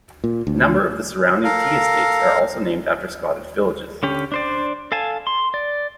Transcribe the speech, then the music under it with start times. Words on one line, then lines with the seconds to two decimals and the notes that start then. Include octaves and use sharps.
A number of the surrounding tea estates are also named after Scottish villages.
0.24 A#2
0.47 D2
1.44 A4 A#4 F5
4.03 D3 C#4 G4
4.32 D4 C5 D5
4.92 A4 F5 G#5 A5
5.27 C6
5.54 D5